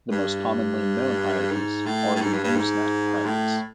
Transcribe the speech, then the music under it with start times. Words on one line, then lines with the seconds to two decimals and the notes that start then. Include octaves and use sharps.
The most commonly known hierarchies are the "Usenet hierarchies".
0.12 G2
1.51 G#2
1.86 A2
2.16 A2
2.21 G#2
2.33 G2
2.44 G2
2.56 G#2
3.26 A2